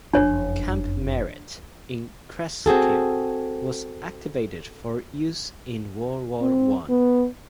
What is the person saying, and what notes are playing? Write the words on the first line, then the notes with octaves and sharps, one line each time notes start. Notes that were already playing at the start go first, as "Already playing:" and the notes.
Camp Merritt, in Cresskill, was activated for use in World War One.
F#1 F2 D4 C#5
C4 F#4 G#4 A4
C4
B3